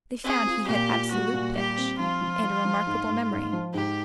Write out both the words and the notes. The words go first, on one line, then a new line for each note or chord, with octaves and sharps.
They found he had absolute pitch, and a remarkable memory.
C4 G#4
F4
A#2 G4
F4
G3 F#4
A#2
G3 G4
C4
F3 F4
F3
F3
F3
G#2
G#2
G#2
F3
G#2 G4